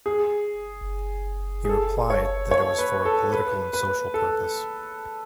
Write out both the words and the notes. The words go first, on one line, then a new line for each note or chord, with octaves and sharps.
He replied that it was for a "political and social purpose".
G#4
G#4
A4
C#5
C#5
B4
A4
B4
B4
A4